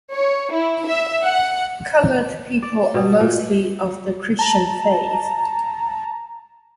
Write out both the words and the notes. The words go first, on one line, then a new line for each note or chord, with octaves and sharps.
"Coloured" people are mostly of the Christian faith.
C#5
E4
E5
F#5
D5
B2
A#2
A5 A#5